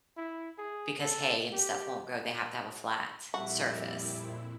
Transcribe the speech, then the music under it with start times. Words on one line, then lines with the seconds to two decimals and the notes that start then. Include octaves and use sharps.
because hay and stuff won't grow, they have to have a flat surface.
0.17 E4
0.58 G#4
1.00 A4
1.53 G4
3.34 F2 A#2 G3 E4 F#4 E5